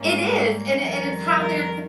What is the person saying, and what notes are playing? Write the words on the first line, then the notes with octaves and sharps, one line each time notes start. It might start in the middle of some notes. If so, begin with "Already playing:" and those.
It is, and it and it's how they're
Already playing: G#2 G3 A#3 C#4
F2 D#3 G3
A#4